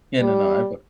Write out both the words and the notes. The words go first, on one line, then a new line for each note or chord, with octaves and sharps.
Yeah, no, no, I've got
G3